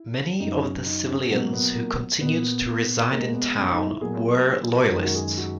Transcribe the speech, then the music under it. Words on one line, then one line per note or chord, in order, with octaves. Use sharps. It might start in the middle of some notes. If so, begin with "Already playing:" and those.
Many of the civilians who continued to reside in town were Loyalists.
Already playing: E4
F#2 C#3 F#3 D#4
C#4
D#4
C#4
B2 F#3 A#3 C#4
B3
A#3
A#2 A#3 B3
B2 G#3 A#3
B3
C#4
D#4
E4
B2 F#3 A#3 G#4
F#2 D#3 G#3 A#4
F#4
G#4
F#4